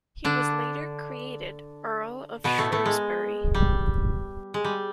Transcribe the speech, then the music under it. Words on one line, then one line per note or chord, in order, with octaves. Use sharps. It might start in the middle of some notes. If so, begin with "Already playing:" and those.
He was later created Earl of Shrewsbury.
D3 D4
B2 B3
A2 A3
A2 A3
G#3
G3
G#3
G3